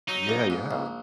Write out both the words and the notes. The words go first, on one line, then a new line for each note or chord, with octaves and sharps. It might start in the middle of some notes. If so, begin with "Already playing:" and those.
Yeah, yeah.
F#3 D#4
A#1
G#2
A#1